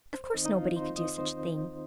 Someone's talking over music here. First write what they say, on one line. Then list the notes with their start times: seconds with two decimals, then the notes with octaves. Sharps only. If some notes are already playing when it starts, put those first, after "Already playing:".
Of course nobody could do such a thing.
0.13 D#2 C5
0.24 C5
0.34 D#3 C4 D#4 D#5
0.45 D#4 D#5
0.55 D#2 F4 F5
0.76 D#3 C4 D#4 C5 C6
0.96 D#2 D#5 D#6
1.18 D#3 C4 D#4 C5 C6